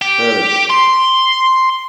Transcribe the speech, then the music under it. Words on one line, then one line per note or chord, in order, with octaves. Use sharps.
that is
G4
C6